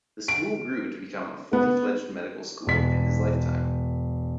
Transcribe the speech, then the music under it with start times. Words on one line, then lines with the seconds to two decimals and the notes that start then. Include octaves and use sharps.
The school grew to become a fully fledged Medical School in his lifetime.
0.28 D7
1.53 B3
2.67 E1 B6